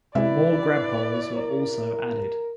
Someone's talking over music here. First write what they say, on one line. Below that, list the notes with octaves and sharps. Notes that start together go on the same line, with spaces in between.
More grabpoles were also added.
C3 G#3 E4 B4 D5 E5
A#4